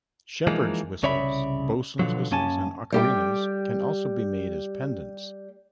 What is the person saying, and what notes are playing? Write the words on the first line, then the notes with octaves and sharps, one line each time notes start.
Shepherd's whistles, bosun's whistles, and ocarinas can also be made as pendants.
E3 F3 G#3 A#3 D#4
C2 C#3 C#5 D5 E5 B5
B2 D3 F3 F#3
F#2 A#3 C#4 G#5 A5
G3 G4 G5